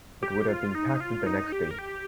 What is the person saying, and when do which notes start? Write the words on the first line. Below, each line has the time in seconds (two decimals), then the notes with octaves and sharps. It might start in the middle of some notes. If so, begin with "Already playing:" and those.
It would have been packed the next day.
0.23 G4
0.48 F4
0.75 D#4
1.00 F4
1.26 D#4
1.52 G4
1.71 A#4
1.79 G4